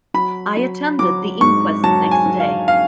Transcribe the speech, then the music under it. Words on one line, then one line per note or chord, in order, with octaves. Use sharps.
I attended the inquest next day.
F#3 B5
F#3
F#3 D6
G#2 C#6
F#3 A5
G#5
F#3
F5
F5